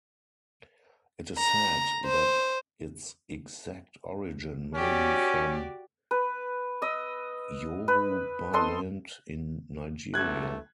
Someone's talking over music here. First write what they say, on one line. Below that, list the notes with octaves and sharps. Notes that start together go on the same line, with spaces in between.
It is said that its exact origin may be from Yorubaland in Nigeria.
A#5
C5
C#4 F#4 G4 D5
B4
D#5 E6
B4
C4 A4 D#5 C6
B1 G2 A3 F#6 G#6